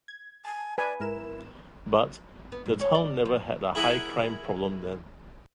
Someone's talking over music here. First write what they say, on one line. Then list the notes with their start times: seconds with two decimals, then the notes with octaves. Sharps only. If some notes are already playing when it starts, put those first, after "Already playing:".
But, the town never had a high crime problem then.
0.08 G#6
0.45 G#5 A5
0.78 B4 D5 G#5
1.00 G#2 E4 A#4 E7
2.52 B3
2.66 G#2
2.81 C#5
2.94 D5
3.25 F3
3.75 E4 G#4 A#4 E5 F#5 G#5